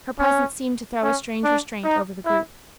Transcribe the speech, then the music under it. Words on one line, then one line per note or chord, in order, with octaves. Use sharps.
Her presence seemed to throw a strange restraint over the group.
C#4
C#4
D4
D#4
E4